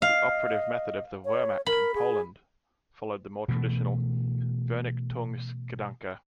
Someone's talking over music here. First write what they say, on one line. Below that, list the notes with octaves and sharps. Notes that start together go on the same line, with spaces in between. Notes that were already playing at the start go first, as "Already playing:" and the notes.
The operative method of the Wehrmacht in Poland followed the more traditional "Vernichtungsgedanke".
D#5 F5
C#5
A#4 B5
G#4
B2 E3 A3